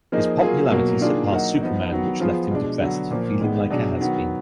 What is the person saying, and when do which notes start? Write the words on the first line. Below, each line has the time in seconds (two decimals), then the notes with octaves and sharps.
His popularity surpassed Superman which left him depressed, feeling like a has-been.
0.12 F3 A#3 D#4 G#4
0.41 F#3 A#3 F4 G#4
0.71 B2 F#3 A#3
1.01 D#3 A#3 D4 F4 G#4
1.31 F#3 A#3 D#4 F#4
1.61 F3 B3 D#4
1.91 D#3 F#3 B3
2.20 F3 B3 F4 G#4
2.51 B2 G#3 D4
2.80 D3 F#3 B3
3.11 A#2 F3 A#3
3.41 D#3 G#3 B3
3.70 B2 F#3 D4 G#4
4.01 D#3 F#3 B3